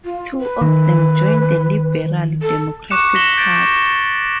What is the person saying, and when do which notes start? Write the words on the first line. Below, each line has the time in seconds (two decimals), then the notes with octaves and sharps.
Two of them joined the Liberal Democratic Party.
0.05 F4
0.41 B4
0.62 D#3
2.42 A4
2.90 C#6 D6 F#6 C#7 E7
3.15 A#6 B6 C#7 E7 F#7 G7
3.37 G6 A6 B6 D7